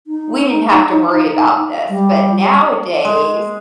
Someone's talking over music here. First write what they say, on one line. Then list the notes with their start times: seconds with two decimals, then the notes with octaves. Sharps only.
We didn't have to worry about this, but nowadays
0.07 D#4
1.90 G3
3.05 G#3